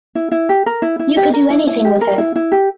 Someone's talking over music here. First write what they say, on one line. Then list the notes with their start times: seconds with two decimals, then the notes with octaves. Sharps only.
You could do anything with her.
0.15 E4
0.32 E4
0.49 G4
0.66 A#4
0.82 E4
0.99 E4
1.17 G4
1.33 A#4
1.50 E4
1.67 E4
1.84 G4
2.01 A#4
2.18 E4
2.36 E4
2.52 G4